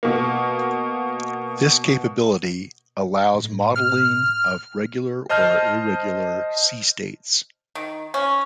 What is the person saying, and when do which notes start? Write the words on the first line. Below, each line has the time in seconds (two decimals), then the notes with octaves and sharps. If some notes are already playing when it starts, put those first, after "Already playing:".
This capability allows modeling of regular or irregular sea states.
0.03 B2 A#3
3.35 A2
3.76 F6
5.29 C5 D#5 A5 F6 G6
7.75 D#3
8.14 C#4